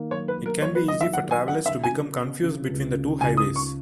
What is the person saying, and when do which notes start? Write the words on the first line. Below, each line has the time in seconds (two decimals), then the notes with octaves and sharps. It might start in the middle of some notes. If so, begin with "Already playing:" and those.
It can be easy for travelers to become confused between the two highways.
Already playing: D#3 A#3
0.10 F#3 C#5
0.28 B4
0.37 F#3
0.46 A#4
0.62 F#3 C#5
0.75 B4
0.88 D#3 D#5
1.01 E5
1.13 D#3 F#5
1.31 G#5
1.40 D#3
1.48 F#5
1.66 C#3 E5
1.84 G#5
1.92 C#3
2.17 C#3
2.43 C#3
2.69 C#2
2.95 C#3
3.20 C#2 G#5
3.37 D#6
3.47 C#2
3.56 C#6